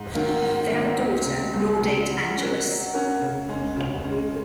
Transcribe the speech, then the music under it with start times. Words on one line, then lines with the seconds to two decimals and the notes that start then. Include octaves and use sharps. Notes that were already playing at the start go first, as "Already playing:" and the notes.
They have a daughter, Laudate Angelus.
Already playing: G#2
0.15 D#3 F#3 A#3
0.42 G#2
0.70 D#3 F#3 A#3
0.99 C#2
1.26 C#3 G#3
1.53 C#2
1.81 C#3 G#3
2.10 F#3
2.37 C#4 F#4 A#4
2.66 F#3
2.93 C#4 F#4 A#4
3.21 C#3
3.48 G#3 C#4
3.76 C#3
4.04 G#3 C#4